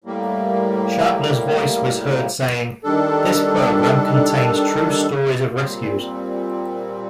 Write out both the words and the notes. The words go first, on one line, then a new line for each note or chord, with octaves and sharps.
Shatner's voice was heard saying: This program contains true stories of rescues.
A2 G3 A#3
D#3 G3 D4 A4
A#2 G3 C4